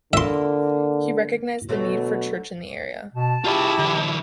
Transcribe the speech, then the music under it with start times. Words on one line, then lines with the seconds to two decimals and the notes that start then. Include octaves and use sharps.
He recognised the need for church in the area.
0.13 D3 A#3 E4 F4 E5 C6
1.69 B2 D3 F#3 A3
3.14 B2 A5
3.44 E4 F4 G4 G#4
3.78 D3 E3